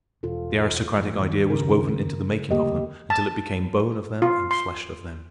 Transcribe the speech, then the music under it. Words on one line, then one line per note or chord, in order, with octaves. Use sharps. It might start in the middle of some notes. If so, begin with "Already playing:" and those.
The aristocratic idea was woven into the making of them until it became bone of them and flesh of them.
E1 F4 A4
A2 E3
D#2 D#3
C#3 A#4
D2 G2 A#3 G4 D#5
A5
F4
C6